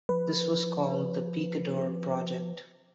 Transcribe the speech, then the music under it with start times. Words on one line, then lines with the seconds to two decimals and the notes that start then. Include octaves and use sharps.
This was called the Picador project.
0.09 F3 B4